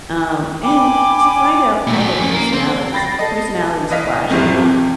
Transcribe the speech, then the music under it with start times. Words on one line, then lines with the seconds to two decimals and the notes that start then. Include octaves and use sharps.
Um, and to find out how their personalities if personalities clashed or not,
0.63 G5 G#5 B5 D6
1.87 A#2 A3
2.00 F#4 G#4
2.18 F2 C#4
2.34 A#3 A#4
2.52 C4
2.93 G5 B5 A6 A#6 C7
3.19 A4 D#5
3.90 E3 D#5 F5 B6
4.30 F#2 A2 C3 E3 F3 G3
4.55 C3